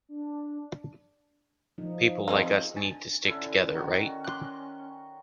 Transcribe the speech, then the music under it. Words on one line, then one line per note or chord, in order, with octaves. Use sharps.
People like us need to stick together, right?
D4
F3 D#4
C4 G#4 D#5
D4 G#5 A6
D3 C#4 E4
D#3 F#4
C6 D6 F#6